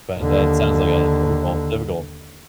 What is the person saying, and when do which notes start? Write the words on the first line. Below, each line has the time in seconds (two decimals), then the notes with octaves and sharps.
but that sounds like a difficult, difficult
0.18 D#2 D3